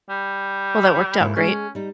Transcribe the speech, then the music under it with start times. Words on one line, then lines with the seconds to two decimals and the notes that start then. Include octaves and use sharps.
Well, that worked out great.
0.09 G3
1.20 D#2 G#2 A3 E4
1.36 G#3 C#4 G#4
1.75 G3 D#4